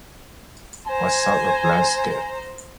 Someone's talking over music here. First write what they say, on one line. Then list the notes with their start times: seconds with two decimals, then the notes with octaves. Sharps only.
What sort of landscape?
0.87 C5 G#5 A#5